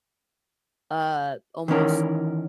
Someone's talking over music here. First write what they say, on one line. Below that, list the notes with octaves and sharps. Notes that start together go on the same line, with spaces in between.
uh, almost,
D#3 E3 C#4 A#4